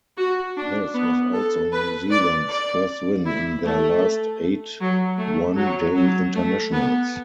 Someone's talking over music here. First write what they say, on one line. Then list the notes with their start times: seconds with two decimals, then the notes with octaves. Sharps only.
This was also New Zealand's first win in their last eight one-day internationals.
0.17 F#4
0.56 D4
0.94 B3
1.33 A4
1.72 B4
2.10 D5
2.48 D5
3.25 E4
3.65 A3
4.80 F#3
5.18 A3
5.57 F#3
5.95 F#3
6.35 A3
6.72 B3